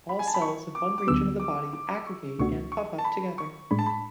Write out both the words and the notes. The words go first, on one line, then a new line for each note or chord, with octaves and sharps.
All cells of one region of the body aggregate and puff up together.
B5
G#5
A5
B5
C#6
D6
D6
D2 D3 F#3 B3 E6
D6
D6
C#6
C#2 B2 A3 D4 F#4 C#6
C#6
A5
B5
C#6
A2 G#3 D4 B5
A5
B5